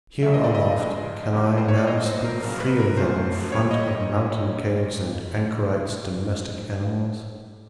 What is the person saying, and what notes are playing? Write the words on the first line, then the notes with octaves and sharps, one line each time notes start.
Here aloft can I now speak freer than in front of mountain-caves and anchorites' domestic animals.
E2 C#3 F#3 A3 E5
D#5
D5
D#5
G#2 F3 G#3
G2 E3 G3 B3 D#4
C5
C#5
D5
G#1 G2 E3 D#5
C5
A#4
F2 C#3 F#3 B3 D4 A#4
B4
A#4
D2 D3 F3 A3 C#4 C5
A#2 G3 A#3 C#5
D#5